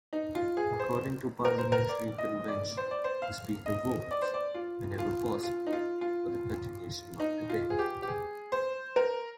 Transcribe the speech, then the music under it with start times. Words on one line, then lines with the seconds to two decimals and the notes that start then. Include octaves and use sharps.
According to parliamentary convention, the Speaker votes, whenever possible, for the continuation of debate.
0.13 D#4
0.35 F4
0.57 G#4
0.79 C5
1.45 A#4
1.58 C5
1.72 A#4
1.89 D5
2.18 D#5
2.48 D5
2.77 C5
2.91 D5
3.04 C5
3.22 F5
3.66 D#5
4.11 D5
4.22 C5
4.34 D5
4.54 F4
4.99 F4
5.43 F4
5.67 D#4
5.73 F4
6.01 F4
7.20 D#4
7.49 F4
7.70 G#4
7.79 G4
8.02 G4
8.08 G#4
8.52 C5
8.96 A#4